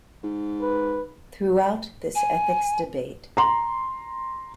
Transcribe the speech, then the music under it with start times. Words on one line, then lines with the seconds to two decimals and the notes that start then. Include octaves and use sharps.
Throughout this ethics debate.
0.23 G#2
0.61 B4
2.15 G#5
3.37 A#5 C6